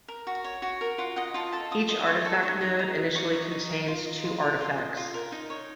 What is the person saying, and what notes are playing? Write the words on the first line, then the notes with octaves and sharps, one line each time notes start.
Each Artifact Node initially contains two Artifacts.
A#4
F#4
C#5
F#4
A#4
F4 F#5
D#5 F#5
F4 A5
A4 A5
F4 D#6
D#5 D#6
F4 C#6
A4 C#6
D#4 C#6
D#5
D#4 A#5
A#4
D#4 C#6
D#5
D#4
A#4
F4
D#5
F4
A#4
F4
D#5
F4
A#4
D#4
C#5